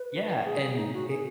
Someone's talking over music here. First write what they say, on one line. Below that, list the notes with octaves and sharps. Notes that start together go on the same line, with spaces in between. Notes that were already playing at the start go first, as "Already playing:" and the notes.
Yeah, and it
Already playing: B4
G#4
D#4
F#4
G#4